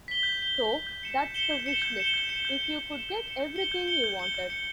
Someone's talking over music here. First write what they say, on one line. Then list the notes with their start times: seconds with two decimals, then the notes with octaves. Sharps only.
So, that's the wish list, if you could get everything you wanted.
0.08 B6 G7
0.23 G6
0.40 B6 G7
0.55 G6
0.71 B6 G7
0.87 G6
1.03 C#7 E7 G7
1.18 G6
1.34 C#7 E7 G7
1.51 G6
1.66 C#7 E7 G7
1.82 G6
1.97 C#7 E7 G7
2.14 G6
2.29 C#7 E7
2.45 G6
2.61 C#7 E7
2.76 G6
2.92 C#7 E7
3.09 G6
3.24 C#7 E7
3.40 G6
3.56 C#7 G7
3.72 G6
3.88 C#7 G7
4.04 G6
4.19 C#7 G7
4.35 G6
4.50 C#7 G7